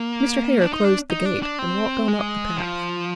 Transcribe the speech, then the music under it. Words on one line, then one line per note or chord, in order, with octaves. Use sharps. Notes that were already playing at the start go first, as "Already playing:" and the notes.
Mr. Hare closed the gate and walked on up the path.
Already playing: A#3
D4
D#4
D4
D#4
D4
D4
C4
G#3
F3